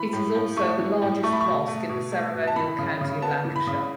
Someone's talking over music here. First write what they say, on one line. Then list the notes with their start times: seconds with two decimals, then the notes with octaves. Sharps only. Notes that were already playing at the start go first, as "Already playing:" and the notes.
It is also the largest mosque in the ceremonial county of Lancashire.
Already playing: E3 B5
0.13 A2
0.35 A2
0.57 A3 C#6
0.79 E3
1.02 A2
1.23 A3 C#6
1.32 B5
1.41 B2 C#6
1.68 A3
1.89 B2
2.12 A3
2.34 B2
2.47 A5
2.56 E3 B5
2.78 C#3
3.01 C#3
3.22 B3 A5
3.45 E3
3.56 B5
3.67 C#3